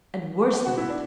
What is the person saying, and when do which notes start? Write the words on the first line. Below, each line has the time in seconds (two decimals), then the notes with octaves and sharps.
And worse than that!
0.54 B3
0.65 F#4
0.78 E4
0.89 D4